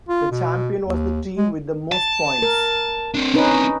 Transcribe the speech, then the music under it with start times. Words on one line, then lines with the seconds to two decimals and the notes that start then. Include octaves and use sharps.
The champion was the team with the most points.
0.09 F4
0.31 B2
0.85 D#2
1.37 G#3
1.92 A5
2.42 A#4
3.14 C4 D4
3.34 C#4 D#4 B4